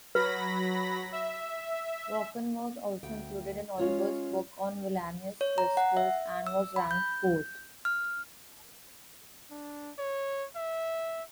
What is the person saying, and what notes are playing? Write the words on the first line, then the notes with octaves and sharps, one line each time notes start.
Vachon was also included in Oliver's book on villainous wrestlers and was ranked fourth.
F#3 B4 B5 A#6
E5
D2 G5
G#3 C#4 F4 C#5
C#5
A#5
F#5
E5
E6
B5
G6
F6
D4
C#5
E5